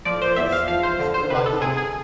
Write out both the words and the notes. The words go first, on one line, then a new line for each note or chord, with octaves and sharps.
It is, it is. What about you?
F3 D5
C5
E2 E5
F5
F3 F5
C5
D3
C5
C3 B4
A4
C3 G#4
G#4